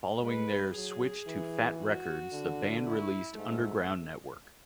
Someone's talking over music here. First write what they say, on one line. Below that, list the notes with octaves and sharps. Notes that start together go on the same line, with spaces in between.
Following their switch to Fat Wreck Chords, the band released "Underground Network".
G#3 B4
F#3 G#4
E3
F#4
D3
E4
G#2 A3